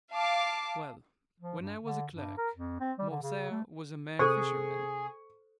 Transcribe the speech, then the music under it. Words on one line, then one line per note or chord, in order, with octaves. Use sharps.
"Well, when I was a clerk, Morcerf was a mere fisherman."
F5 A5 D6
F3
G2
D3
G2
A#4
F2
C4
G3
D3
C#3
A3
C3 G#4 A4 C5 C#6